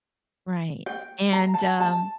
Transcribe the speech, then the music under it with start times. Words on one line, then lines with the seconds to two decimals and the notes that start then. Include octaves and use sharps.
Right. And, um,
0.86 G5
1.33 A#5
1.54 A5
1.80 A5